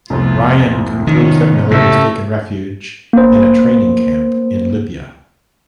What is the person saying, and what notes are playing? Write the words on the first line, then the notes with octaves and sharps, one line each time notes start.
Ryan concludes that Miller has taken refuge in a training camp in Libya.
C2 F2 A3 B3 F4
D#3 B3 C#4 D#4
A2 C#3 A3 A#3 G4 A#6
A#3 C5